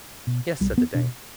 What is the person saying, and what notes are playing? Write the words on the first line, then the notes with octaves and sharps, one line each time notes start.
"Yes," said the dame.
B2
B1 G3
B3
B2 D4